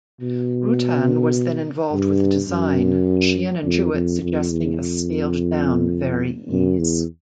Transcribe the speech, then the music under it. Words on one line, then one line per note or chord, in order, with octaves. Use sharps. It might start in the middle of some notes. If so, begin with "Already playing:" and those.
Rutan was then involved with the design; Sheehan and Jewett suggesting a scaled-down Vari-Eze.
B2
G2
F#2
F2
F2
F2
E2
F2
F#2
E2